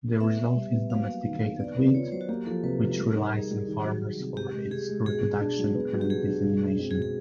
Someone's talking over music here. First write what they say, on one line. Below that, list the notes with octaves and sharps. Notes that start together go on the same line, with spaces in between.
The result is domesticated wheat, which relies on farmers for its reproduction and dissemination.
B3 E5
B3
G3
B3
F#3 F5
A#3
D#3
D#3
B3 D5
B3
F4 C#5
F#3 C5
F#4
A#3 G4
F3 A4
C3 B4
F3
G3 A#4
D#4
G3 G#4
G3
D#3
F#3
D#3
C3
G#3 G4
G#3
G#3 G#4
G#3
B2 G#4
B2
D4
F#3
B3
F#3
G4
D4 G#4
D4
B2
G#3
C4
G#4
B2
G#4